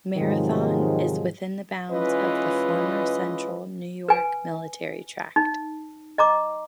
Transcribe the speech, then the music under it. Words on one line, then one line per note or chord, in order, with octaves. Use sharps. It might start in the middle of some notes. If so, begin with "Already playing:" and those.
Marathon is within the bounds of the former Central New York Military Tract.
G#2 C3 D#3 F3 F#3 G#3
E3 G#3 C#4 F4 B4 D#5
B4 G#5
D#4
D#5 A#5 D6